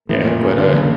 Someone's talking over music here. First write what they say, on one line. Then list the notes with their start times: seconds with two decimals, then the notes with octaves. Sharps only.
yeah, but uh
0.09 A2 E3 A#3 C#4
0.25 A#2
0.41 C#3
0.58 D3
0.73 C#3 E3 A#3 C#4